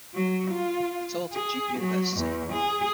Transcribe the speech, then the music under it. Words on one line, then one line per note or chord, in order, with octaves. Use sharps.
He taught at Duke University.
F#3
F4
G#4
F#3
E2
G#4